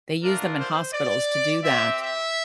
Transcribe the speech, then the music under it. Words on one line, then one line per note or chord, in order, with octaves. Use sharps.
they use them in hospitals to do that.
A3 D4 F4 A#4
C5
D5
C4 G4 E5
E5